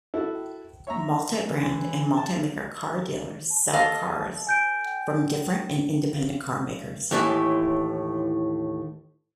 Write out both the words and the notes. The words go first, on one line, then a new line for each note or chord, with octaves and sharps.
Multibrand and multimaker car dealers sell cars from different and independent carmakers.
E4 F#4 A4
C#5 E5 A#5
E3
A5
A4 D#5 F5
G#5 G6 D7
D#2 A2 D3 E3